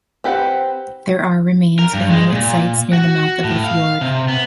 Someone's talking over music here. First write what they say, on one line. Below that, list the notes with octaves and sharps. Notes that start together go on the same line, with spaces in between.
There are remains of Inuit sites near the mouth of the fjord.
C4 G4 B4 F#5
A#4
G2
G#3
A#2
F#4
A2
F5
C3
B3